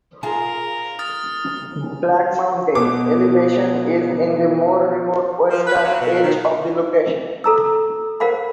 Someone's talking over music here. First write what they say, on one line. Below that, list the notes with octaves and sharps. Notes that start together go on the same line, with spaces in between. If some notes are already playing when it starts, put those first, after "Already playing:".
Black Mountain, elevation is in the more remote western edge of the location.
F4 G#4 A#4
D#6 F6 A6
B2 D6
F3
B4
F#3
B2
D#3
A4 A#5 E6
A#4 C5 F5 F#5 B5